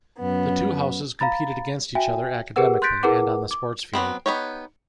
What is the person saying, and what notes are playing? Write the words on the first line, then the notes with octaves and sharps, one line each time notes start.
The two houses competed against each other academically and on the sports field.
F#2 B3
F5 A#5 B5 A6
F#4 E5 G5 G#5
G4 G#4 A#4 B4 F#5 E6
C6 F#6 G6 A6 B6 D7
E4 G#4 A#4 B4 F#5 D6
D6
F#3 A3 B3 C4
B3 D#4 G4 C#5